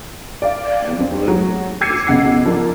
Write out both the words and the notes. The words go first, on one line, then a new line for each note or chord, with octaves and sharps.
Hamblen is gay.
D5 F5
F2 C4
F#3
D6 E6 G#6 C7 C#7 D#7
B1 C#3 F#5 C7
F3 D4 A#4